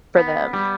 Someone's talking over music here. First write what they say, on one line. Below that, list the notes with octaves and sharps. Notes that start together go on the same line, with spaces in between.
for them.
B3
G3